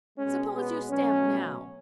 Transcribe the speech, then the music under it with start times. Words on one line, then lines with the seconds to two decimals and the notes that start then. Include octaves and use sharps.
Suppose you stamp now.'
0.17 B2 G#3 C#4
0.54 B3
0.89 B2 F#3 A3 C#4